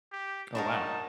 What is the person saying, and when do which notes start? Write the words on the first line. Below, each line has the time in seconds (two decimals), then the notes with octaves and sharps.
Oh, wow.
0.12 G4
0.55 D4 D#4 F#4 A#4 A5